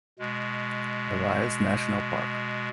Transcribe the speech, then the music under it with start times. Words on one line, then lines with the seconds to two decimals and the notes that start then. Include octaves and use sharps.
Elias National Park.
0.19 B2 G#3